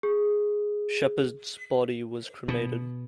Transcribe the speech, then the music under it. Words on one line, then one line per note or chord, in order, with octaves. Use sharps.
Shepard's body was cremated.
G#4
B2